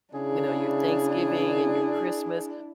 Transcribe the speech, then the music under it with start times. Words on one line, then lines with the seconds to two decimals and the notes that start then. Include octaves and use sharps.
you know, your Thanksgiving and your Christmas,
0.14 C#3 D4 E4 G#4